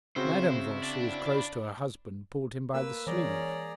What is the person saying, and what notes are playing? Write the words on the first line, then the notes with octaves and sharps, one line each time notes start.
Madame Voss, who was close to her husband, pulled him by the sleeve.
C#3 C4 E4 F#4 C5
D4 D5
A#3 B4 E6
E3 C#4 G#4 D5 A#5